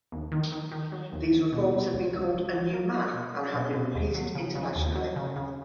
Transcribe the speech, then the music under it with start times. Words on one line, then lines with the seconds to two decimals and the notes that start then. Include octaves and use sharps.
These reforms have been called a new math and have been repeated internationally.
0.12 D#2
0.32 D#3
0.52 D#3
0.72 D#3
0.92 F#3
1.13 D#2
1.33 D#2
1.53 B2
1.74 B2
1.93 C#2
2.13 C#2
2.33 C#2
2.54 F#3
2.73 A#3
2.94 A#3
3.14 B2
3.34 F#3
3.54 B2
3.74 B2
3.95 D#2
4.14 F#3
4.35 C#3
4.55 C#3
4.75 D#2
4.95 F#3
5.16 C#3
5.36 C#3